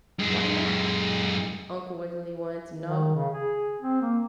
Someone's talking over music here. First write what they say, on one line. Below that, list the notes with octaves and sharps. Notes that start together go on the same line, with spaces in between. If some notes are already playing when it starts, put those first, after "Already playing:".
"Why not?" Uncle Wiggily wanted to know.
F#2 G#3
D#3
C#3
G#4
C4
A#3